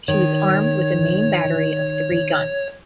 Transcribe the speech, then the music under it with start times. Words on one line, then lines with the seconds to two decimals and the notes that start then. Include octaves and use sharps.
She was armed with a main battery of three guns.
0.08 D#3 C#5